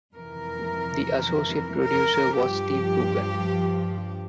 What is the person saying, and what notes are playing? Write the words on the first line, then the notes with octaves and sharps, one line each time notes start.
The associate producer was Steve Coogan.
F2 C3 E3 A#4
A#4
G2 F3 G4